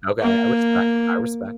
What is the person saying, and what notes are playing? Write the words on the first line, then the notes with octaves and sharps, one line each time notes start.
okay. I respect, I respect.
A#3